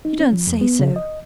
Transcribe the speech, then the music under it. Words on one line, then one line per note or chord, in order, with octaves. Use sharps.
You don't say so!
D#4
C#4
F3
F2
B3
C#3
D#5